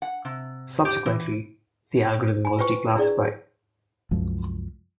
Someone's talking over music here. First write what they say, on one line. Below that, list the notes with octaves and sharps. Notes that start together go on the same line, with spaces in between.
Subsequently, the algorithm was declassified.
F#5
C3
G4
E3
G#5 B5
F4 B4 C5 G5 C#6
D4 E4 G#4 D5
C2 F#2 F3 G#3